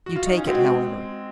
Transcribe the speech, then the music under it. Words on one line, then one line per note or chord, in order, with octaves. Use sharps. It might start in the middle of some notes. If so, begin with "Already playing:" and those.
"You take it, however."
F#4
F4
D#4
C#4
G#3 C4 F#4